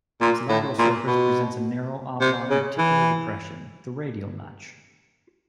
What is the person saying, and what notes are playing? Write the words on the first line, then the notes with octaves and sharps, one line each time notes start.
Its lateral surface presents a narrow, oblong, articular depression, the radial notch.
A#2
A2
A#2
B2
C3
C#3
E3